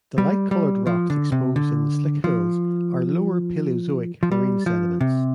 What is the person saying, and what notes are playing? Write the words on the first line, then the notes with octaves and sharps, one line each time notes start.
The light-colored rocks exposed in the Slick Hills are lower Paleozoic marine sediments.
G3
G3
F3
D3
C3
D3
F3
F3
G3
F3
C3